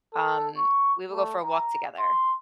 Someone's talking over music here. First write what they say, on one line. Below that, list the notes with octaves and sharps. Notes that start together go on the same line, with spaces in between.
um, we will go for a walk together.
A4
C#6
A3
A#5
C6